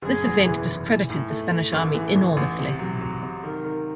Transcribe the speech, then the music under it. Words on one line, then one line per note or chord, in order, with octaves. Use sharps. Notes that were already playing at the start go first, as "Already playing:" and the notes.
This event discredited the Spanish army enormously.
F#1 G#4
E2
E3
E3
E3
A2
A3
A3
A1 A4
E3
A1
A1
C3
F#3
F#3
C3
D#3 A#4
D#3